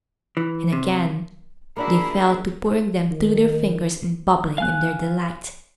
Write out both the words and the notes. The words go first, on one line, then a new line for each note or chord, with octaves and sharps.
And again they fell to pouring them through their fingers and babbling in their delight.
E3
C3
A#3 D4 E4 F#4 G#4 B5
D#3
F5 G#5 F#6